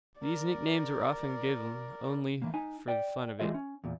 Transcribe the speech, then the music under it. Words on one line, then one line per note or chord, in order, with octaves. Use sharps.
These nicknames were often given only for the fun of it.
A#4 D5
E3 A#3
D#4 G#5
D5 G5
E3 G#3 F4 G#4 D#5 E5
C#4
E2 A#2